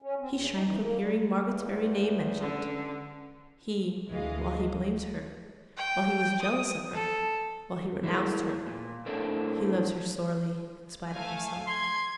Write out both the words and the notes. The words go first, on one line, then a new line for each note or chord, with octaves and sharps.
He shrank from hearing Margaret's very name mentioned; he, while he blamed her--while he was jealous of her--while he renounced her--he loved her sorely, in spite of himself.
C#4
C4
E2
D#4
E3
A#3
G3
E2
D3 C#4
D2 E3 G#3 D#5 F5
G5
D#6
A4
E3 G#3 A#3
A#2
A2 A3 A#3 C4 D4
A3 F5 G#5
C6 G#6